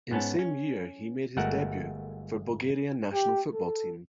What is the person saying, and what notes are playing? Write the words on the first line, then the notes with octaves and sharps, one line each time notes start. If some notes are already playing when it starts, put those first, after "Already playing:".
In same year he made his debut for Bulgaria national football team.
G#2 B3 C#4 A5
C#4
G1 G#3 A3 F#4 A#4 F#5
G4
A4